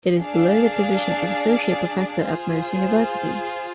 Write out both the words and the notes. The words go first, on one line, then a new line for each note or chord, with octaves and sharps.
It is below the position of associate professor at most universities.
D4 G#4 D5 F5
F4 G#4 C5